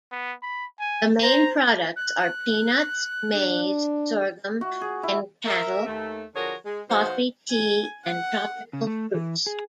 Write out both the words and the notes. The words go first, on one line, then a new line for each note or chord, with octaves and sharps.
The main products are peanuts, maize, sorghum and cattle, coffee, tea and tropical fruits.
B3
B5
G#5
C5 A#5
F#6
D4
F#4
G#4
E4
A#4 E5
D#2 A3
D3 F3 F#4 G#4 A#4 C#5
G#3
B2 F#3 D#4 C5 F5 F#5
G#5
F#5
C#3
A3
E3
G#4